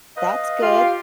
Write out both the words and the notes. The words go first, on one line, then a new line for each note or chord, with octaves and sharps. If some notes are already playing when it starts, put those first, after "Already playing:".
That's good.
B4 D#5 F5
F4 G4